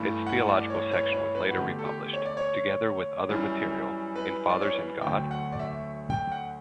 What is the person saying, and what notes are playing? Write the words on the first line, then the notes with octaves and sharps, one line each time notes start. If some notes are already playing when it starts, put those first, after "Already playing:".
Its theological section was later republished, together with other material, in Fathers in God?
Already playing: G2 E3 A3
F#5
D5
C#5
C#5
B4
C#5
B4
F#4
E2 D3 A3 G4
A4
G4
C#5
D5
C#5
F#2 E3 G3
B4
D5
C#5
B4
D2 D3 F#3 A3 G5
F#5
D5
E5
G5
F#5